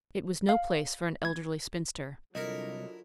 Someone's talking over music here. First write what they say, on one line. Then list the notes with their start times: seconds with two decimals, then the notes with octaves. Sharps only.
It was no place for an elderly spinster.
0.49 F5
1.25 G#6
2.35 C2 D3 F#3 E4 F4 A#4 D#5 C#7